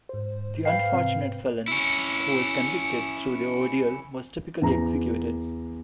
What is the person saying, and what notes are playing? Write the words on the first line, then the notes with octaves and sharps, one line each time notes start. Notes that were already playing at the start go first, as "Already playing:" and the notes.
The unfortunate felon who was convicted through the ordeal was typically executed.
G#2 C5
B4 F5 G5
C3 C4
C#4 E4
E2 A#5